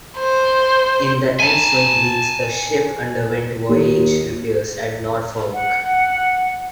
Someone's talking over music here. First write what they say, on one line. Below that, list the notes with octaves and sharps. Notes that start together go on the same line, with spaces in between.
In the ensuing weeks, the ship underwent voyage repairs at Norfolk.
C5
G#5 A5
D#2
F#5